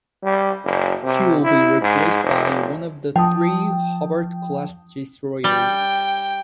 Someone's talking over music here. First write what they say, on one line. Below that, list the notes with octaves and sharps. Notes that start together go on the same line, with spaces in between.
She will be replaced by one of the three "Hobart"-class destroyers.
G3
F#1
C3
E4
G#2
F1
F3 G5 A5 D#6
G3 G5